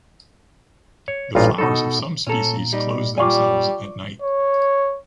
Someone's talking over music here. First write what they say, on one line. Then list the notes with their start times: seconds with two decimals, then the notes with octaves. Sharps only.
The flowers of some species close themselves at night.
1.08 C#5
1.35 A1 G2 A#2 D#4 F4
1.58 B2 D#4 A4
2.27 A#2 C#4 A4 A#5
2.73 G3 D#4
3.18 G3 F4 D5 F5 G#5 C#6 D6
4.23 C#5